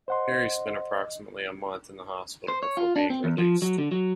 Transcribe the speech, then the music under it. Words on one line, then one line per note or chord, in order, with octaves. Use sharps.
Perry spent approximately a month in the hospital before being released.
C5 D#5 F#5 C6
C5
C#5
F4
D4
C4
E2
F3
F#3
D3
F#3